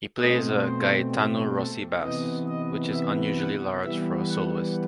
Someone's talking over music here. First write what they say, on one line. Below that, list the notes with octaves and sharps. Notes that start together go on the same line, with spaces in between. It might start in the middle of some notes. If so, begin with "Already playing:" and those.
He plays a Gaetano Rossi bass, which is unusually large for a soloist.
B2 A3 C4 D#5
C5
G4
A4
C3 E3 B3 D#5
D#5
E5
F#5
E3 G3 B3 E5
F#5